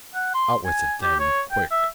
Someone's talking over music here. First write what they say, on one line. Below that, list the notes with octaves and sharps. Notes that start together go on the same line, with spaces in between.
'Out with it then, quick!
F#5
C6
G#5
G4
C#5
G5
E5